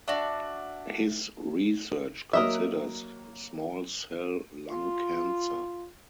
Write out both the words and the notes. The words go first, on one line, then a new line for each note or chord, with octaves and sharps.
His research considers small cell lung cancer.
D4 F#4 D5 E5
F#3 A#3 A#4 D#5 E5
F4